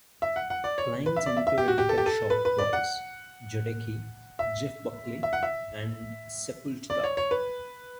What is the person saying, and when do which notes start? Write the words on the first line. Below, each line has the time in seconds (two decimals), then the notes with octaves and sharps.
Clients included the Pet Shop Boys, Jodeci, Jeff Buckley and Sepultura.
0.22 E5
0.36 F#5
0.50 F#5
0.64 D5
0.78 C#5
1.06 B4
1.16 E5
1.26 D5
1.37 E5
1.47 E5
1.58 G4
1.68 F#4
1.78 G4
1.89 A4
1.98 G4
2.06 A4
2.30 B4
2.45 B4
2.59 D5
2.73 F#5
4.39 E5
5.23 E5
5.33 F#5
5.43 E5
6.90 D5
7.04 C#5
7.17 C#5
7.31 B4